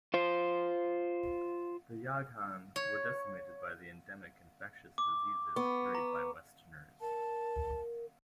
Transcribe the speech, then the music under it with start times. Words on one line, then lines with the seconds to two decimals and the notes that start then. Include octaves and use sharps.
The Yaghan were decimated by the endemic infectious diseases carried by Westerners.
0.14 F4 C5
2.76 C#5
4.98 D6
5.56 B3 C#6
5.95 A#5
7.01 A#4 A5